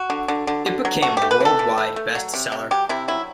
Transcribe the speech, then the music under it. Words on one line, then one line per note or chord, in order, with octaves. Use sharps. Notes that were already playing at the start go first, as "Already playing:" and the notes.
It became a world-wide best seller.
Already playing: F#4
D3
D3
D3
D3
F#3
A3 F#4
A3 G4
B4
E3 A4
E3
A3
A3
F#3
C3
C3
F#3 G4
C3 E4
F#3 E4